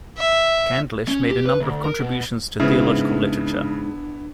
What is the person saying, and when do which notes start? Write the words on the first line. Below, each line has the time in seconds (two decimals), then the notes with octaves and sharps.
Candlish made a number of contributions to theological literature.
0.17 E5
1.08 C#4
1.29 G4
1.46 B4
1.60 D2
1.84 A#4
2.00 B2
2.60 C2 G#2 C#3 B3 D4 E4